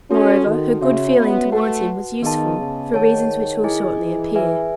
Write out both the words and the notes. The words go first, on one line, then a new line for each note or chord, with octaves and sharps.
Moreover, her good feeling towards him was useful, for reasons which will shortly appear.
C#4 D#4 F#4 A4
D#3
C#3 C#4 F#4 C#5 E5
B3
A3 F#4 B4 F#5 A5
D#3 B3 D#4 G#4 D#5 A5
C#3
D#3 G#4 C#5 F#5 A5
E4 G#4 D#5 G#5
E3
G#4 B4 E5 G#5